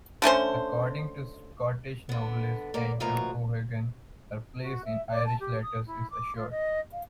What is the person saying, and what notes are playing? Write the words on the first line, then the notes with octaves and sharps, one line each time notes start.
According to Scottish novelist Andrew O'Hagan, her place in Irish letters is assured.
D3 A3 C#4 C5
D3 B3
A#3 B3 D5
D2 B2 F3 A#3 F#4 A#5
F#4
E5
D5
A5
G4
D#6
E4
D6
F4
D#5
F5